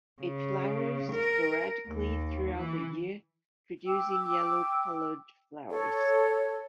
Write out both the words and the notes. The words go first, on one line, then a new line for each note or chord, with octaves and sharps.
It flowers sporadically throughout the year producing yellow coloured flowers.
C#3
A#4
D#2
E3
G5 D6 E6
A4 C#5